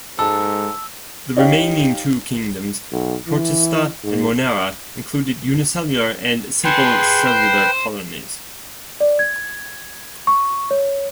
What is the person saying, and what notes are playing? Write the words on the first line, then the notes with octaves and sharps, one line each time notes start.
The remaining two kingdoms, Protista and Monera, included unicellular and simple cellular colonies.
G#2 G#3 A4 A5 E6
D#4 G4 C#5 F5 G5
B1
E3
G#2
G#4 A4 B4 G5 C6
C5
D5
G#6
C#6
C#5